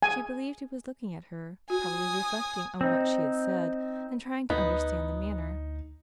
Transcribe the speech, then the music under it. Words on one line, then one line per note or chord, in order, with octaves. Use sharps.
She believed he was looking at her; probably reflecting on what she had said, and trying to understand the manner.
G#5
F#4 G#5 D#6
C4 D#4
D2 B3 D#4